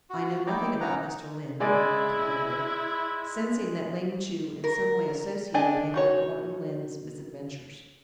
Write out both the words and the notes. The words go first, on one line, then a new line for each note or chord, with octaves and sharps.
"I know nothing about Mr. Lyne," interrupted Milburgh, sensing that Ling Chu in some way associated him with Thornton Lyne's misadventures.
F#4
D#4 E4 G5 D6
C#4 D#4 F#5 A#5
G#3 E4 D5 G#5
A#4
D4 D5 D#5 G#5
D#4 F#4 C#5